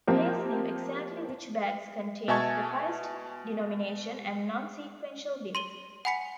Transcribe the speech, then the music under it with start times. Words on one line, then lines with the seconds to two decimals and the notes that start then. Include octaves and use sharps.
Pace knew exactly which bags contained the highest denomination and non-sequential bills.
0.07 F3 A#3 C4 G4
2.28 B2 E5 G#5 A5 C#6 G#6
5.55 C6 D#7 G7
6.05 F#5 G#5 B5 B6 C#7